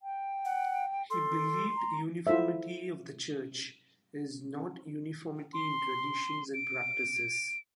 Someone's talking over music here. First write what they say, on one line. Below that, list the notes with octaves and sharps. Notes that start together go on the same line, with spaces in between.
He believed uniformity of the Church is not uniformity in traditions and practices.
G5
F#5
A4 C6
A#5
E4 F4 A4 C5 E5
C6
D7